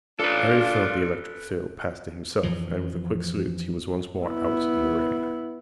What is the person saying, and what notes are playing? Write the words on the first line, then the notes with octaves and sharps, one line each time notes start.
Harry felt the electric thrill pass to himself, and with a quick salute he was once more out in the rain.
D4 F4 A4 B4
F2 E3 F3
B3 E4